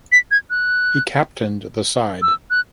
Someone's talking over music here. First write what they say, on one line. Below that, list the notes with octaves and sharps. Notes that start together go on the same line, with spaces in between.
He captained the side.
B6
G#6
F#6
E6
F#6